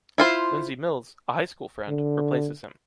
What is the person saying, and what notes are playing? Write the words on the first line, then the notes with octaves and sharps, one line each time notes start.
Lindsey Mills, a high school friend, replaces him.
E4 F4 C5
D3